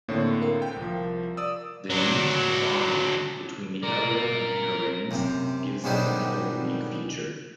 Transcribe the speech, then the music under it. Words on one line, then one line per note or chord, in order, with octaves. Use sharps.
The neat bonding between the outer and inner rings gives it another unique feature.
A2 D3 A#3 C4 C#5
A#4 F5
G5
C2 F3
D5 D#6 E6
F#3 D4
A#4 D5
F#2 C3
G#2 B2 D3 D#3 F#3 G3